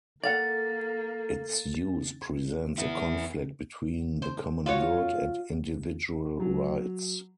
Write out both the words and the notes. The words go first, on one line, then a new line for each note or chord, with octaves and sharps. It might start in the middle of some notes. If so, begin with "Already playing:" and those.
Its use presents a conflict between the common good and individual rights.
A#3 A4 D5 F5 F#5 A6
B3 E4
C5
F4 F#4 C#5
F#3